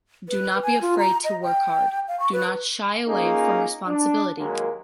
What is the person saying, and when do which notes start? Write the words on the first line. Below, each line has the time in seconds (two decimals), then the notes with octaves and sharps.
Do not be afraid to work hard, do not shy away from responsibility.
0.29 B4
0.63 G#5
0.81 F4
0.98 A#5
1.24 D#5
1.42 G5
2.08 F5
2.20 C#6
2.33 B4
3.07 A#3 C#4 D#4 F4 G#4 A#4
3.86 D4
4.37 D#2 F#3 G#3 A#3